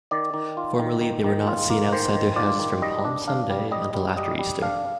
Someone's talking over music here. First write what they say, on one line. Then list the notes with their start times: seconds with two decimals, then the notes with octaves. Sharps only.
Formerly, they were not seen outside their houses from palm Sunday until after Easter.
0.11 D#3 D5
0.34 D#3
0.57 F4
0.80 D#3
1.01 D#3
1.24 D#3
1.47 F4
1.70 A#3
1.92 D#3 C5
2.15 D#3
2.36 F4 D5
2.59 D#3
2.82 G3 D#5
3.05 D4
3.28 D4 F5
3.50 G3
3.71 G3 D#5
3.94 G3
4.17 G3 D#5
4.39 G3
4.62 D4 F5